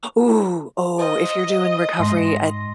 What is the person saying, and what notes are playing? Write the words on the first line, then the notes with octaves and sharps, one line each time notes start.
Ooh, oh, if you're doing recovery at
C5 D#5 F5
G#2 C6 A#6